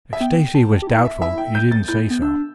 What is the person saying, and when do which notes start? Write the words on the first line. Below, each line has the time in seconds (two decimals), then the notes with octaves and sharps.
If Stacy was doubtful he did not say so.
0.13 E5
0.20 B3 G5
0.54 A5
0.82 G4
0.87 E4
1.05 E5
1.21 E4 E5
1.38 G5
1.55 G6
1.71 A6
1.88 E4 G6
2.10 B3
2.22 D4 E6